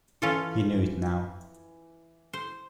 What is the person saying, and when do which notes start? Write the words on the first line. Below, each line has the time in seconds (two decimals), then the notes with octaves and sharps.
He knew it now.
0.22 E3 C#4 F4 A4
2.33 C5